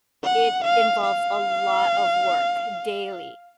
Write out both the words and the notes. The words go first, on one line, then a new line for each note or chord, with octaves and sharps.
it involves a lot of work daily.
F#5
F5
F5